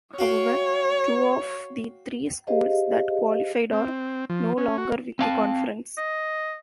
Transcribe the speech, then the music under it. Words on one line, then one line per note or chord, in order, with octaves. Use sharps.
However, two of the three schools that qualified are no longer with the conference.
F#4 C#5 F5 G5
G4 G#4 C5 D#5 F5
C4
F3
C#4
F#4
C4 F5 A5
D#5